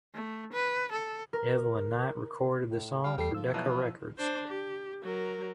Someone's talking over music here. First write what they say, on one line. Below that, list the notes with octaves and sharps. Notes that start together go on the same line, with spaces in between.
Evelyn Knight recorded the song for Decca Records.
A3
B4
A4
A#4
A2
G3 F5
E2 G3 A3 A4 C7
F3 E6
B2 F#3 E4
D4 C5
G4
F#3 A#4